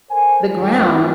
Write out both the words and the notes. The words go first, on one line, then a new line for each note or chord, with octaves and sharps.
the ground.
A4 A#4 C5 G#5
G2 D#3 F3